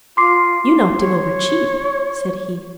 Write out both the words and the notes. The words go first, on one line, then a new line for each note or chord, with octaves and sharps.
"You knocked him over cheap," said he.
F4 C6 D6 C7
C#5